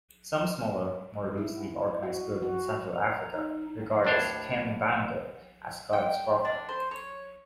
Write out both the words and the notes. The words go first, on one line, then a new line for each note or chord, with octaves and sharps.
Some smaller, more loosely organised groups in Central Africa regard Kimbangu as God's prophet.
E4
F#4
F#4
A#5
D#4
D#2 A2 D4 C5 C#5
G5
D4
C5
C#5